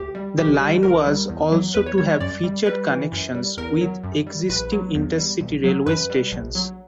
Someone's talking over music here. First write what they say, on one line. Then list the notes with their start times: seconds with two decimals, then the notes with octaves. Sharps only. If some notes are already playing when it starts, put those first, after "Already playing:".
The line was also to have featured connections with existing intercity railway stations.
Already playing: D2 G4
0.15 G3
0.38 B1 G4
0.61 G3
0.83 C#2 A#4
1.07 G3
1.29 E2
1.52 F#3
1.74 E2 B4
1.86 C#5
1.98 G3 C#5
2.10 C#5
2.20 F#2 D5
2.44 G3
2.66 G3 B4
2.90 E3
3.12 F#2
3.35 G3
3.57 E2 A#4
3.81 F#3
4.03 F#2
4.27 G3
4.49 A#1 B4
4.72 F#3
4.95 E2
5.18 G3
5.41 B1
5.64 F#3
5.86 F#2 B4
6.10 G3
6.32 A#1
6.55 F#3